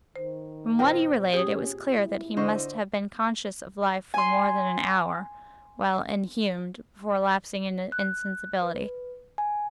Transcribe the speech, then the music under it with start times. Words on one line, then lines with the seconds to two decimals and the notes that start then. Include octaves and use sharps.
From what he related, it was clear that he must have been conscious of life for more than an hour, while inhumed, before lapsing into insensibility.
0.16 D#3 C5
0.79 A#2 C4 A#4 G5
1.34 C#4 G4 G#4 D#6
1.90 E4
2.37 D3 C5 D#5 C#6
4.14 G#5 C6
7.92 F#6
8.62 B4
9.38 G#5